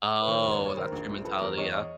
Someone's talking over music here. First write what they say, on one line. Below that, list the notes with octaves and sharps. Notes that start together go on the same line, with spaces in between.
Oh, that's your mentality. Yeah.
B4
D#3 A#4 C5
F#1
B4 C#5
F#1
C#5
D#3 A#4 C5
A#1
A#1
F3 A4 B4
E2 A#4 C5
E2 C#5 D#5
C#5 D#5